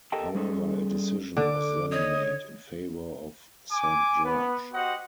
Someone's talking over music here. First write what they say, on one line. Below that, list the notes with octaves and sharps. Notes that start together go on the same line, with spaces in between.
However, a decision was then made in favor of Saint George.
G4 A4 A#4 D#5 G5 A5
G3 C#4 G#4 A4
D3 D4 D6
C#5 D#5
G#5 D6
B3
F#4 G4 C5 D#5 F#5